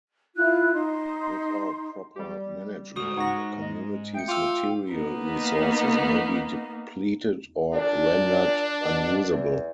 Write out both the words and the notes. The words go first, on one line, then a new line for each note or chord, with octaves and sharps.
Without proper management, a community's material resources may be depleted or rendered unusable.
E4 F4 F#6
D#4 C6
G3 G4
B1 G#2 F#4 D#6
D#4 F#5 C#6 A#6
D#5
A3 G5 G6 C#7
F4 D6 E6
A#3 B3 D#4
A#2 D4
B2
E2